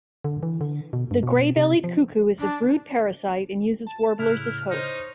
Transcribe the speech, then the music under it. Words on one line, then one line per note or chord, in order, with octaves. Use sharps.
The grey-bellied cuckoo is a brood parasite and uses warblers as hosts.
D3
E3
D3
B2
G2
B2
C3
F3
D4
A5
A2 C#3 E4 F6 F#6
D#4 C5 C#5 D#5